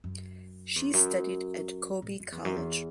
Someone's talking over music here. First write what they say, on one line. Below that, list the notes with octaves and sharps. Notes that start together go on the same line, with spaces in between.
She studied at Kobe College.
F#2
E2
F#2
A2
F#2
E2
F#2
E2